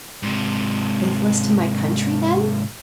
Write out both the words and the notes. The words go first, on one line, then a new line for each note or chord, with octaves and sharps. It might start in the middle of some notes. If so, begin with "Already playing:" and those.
"Faithless to my country then?"
G#2 C3